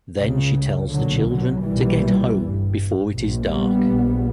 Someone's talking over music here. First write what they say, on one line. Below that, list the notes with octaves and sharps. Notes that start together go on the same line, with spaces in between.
Then she tells the children to get home before it is dark.
C#2 C#3
B1 A#2 D3 F#3
D3 F#3
B1 A#2 E3 G3
G1 G2
A#1 A#2
G3 B3
A#1 A#2